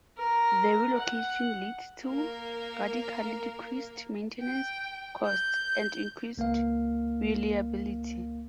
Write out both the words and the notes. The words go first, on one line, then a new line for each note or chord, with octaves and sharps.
The relocation led to radically decreased maintenance costs and increased reliability.
A#4
F#5
A#3 A#4
G5
G6
C#2 A#3 A#4 F5